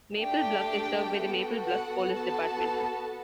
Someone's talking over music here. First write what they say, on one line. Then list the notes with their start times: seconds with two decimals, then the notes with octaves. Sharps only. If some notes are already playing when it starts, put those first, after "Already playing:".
Maple Bluff is served by the Maple Bluff Police Department.
0.17 A3 D4 G4 G5
1.15 B3 F#4 A4
1.63 F#5
2.13 B3 F#4 A4 A5